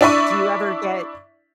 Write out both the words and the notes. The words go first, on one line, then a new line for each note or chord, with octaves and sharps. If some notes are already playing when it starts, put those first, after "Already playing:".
Do you ever get,
D4 E4 D5 E5 C#6 D#7